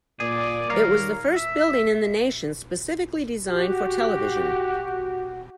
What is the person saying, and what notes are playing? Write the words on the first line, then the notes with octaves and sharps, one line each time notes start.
It was the first building in the nation specifically designed for television.
A#2 G#4 D5
D#3 G3 A#4 C#5 F5
E5
F#4 G4